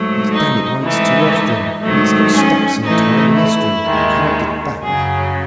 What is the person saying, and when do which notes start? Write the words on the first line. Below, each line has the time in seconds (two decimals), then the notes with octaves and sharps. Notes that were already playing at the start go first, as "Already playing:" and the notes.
"He's done it once too often, and he's got stuck some time in history and can't get back."
Already playing: G#2 F#3 A3
0.33 D#4
0.84 G#2 E3 A3 D#4
1.83 G#2 D#3 F#3 A3
2.34 C#4
2.84 A2 E3 A3 D#4
3.34 E4
3.84 D#2 D#3 G#3
4.84 F#2 C#3 F#3 G#4